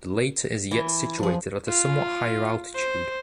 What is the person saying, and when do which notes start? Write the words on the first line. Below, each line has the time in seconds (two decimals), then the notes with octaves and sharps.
The later is yet situated at a somewhat higher altitude.
0.71 E3
1.18 F3 D4 G#4
1.68 F4
2.75 C5